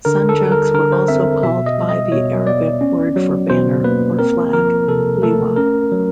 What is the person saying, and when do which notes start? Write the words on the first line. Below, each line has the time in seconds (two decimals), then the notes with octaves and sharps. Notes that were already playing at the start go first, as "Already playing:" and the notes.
Sanjaks were also called by the Arabic word for banner or flag: "liwa".
0.05 D3 A#4
0.29 A4
0.41 G3
0.52 A#4
0.74 D3 A#4
0.92 C5
1.08 C4 E5
1.43 B2 E5
1.66 D#5
1.78 G3
1.89 D#5
2.12 B2 C#5
2.46 B3 D5
2.81 C#4
3.16 F#3
3.50 B2 C5
3.84 A#3 B4
4.19 C4 A#4
4.53 F3 A#4
4.87 C3 A4
5.22 A3 A4
5.56 C#4 A#4
5.92 F#3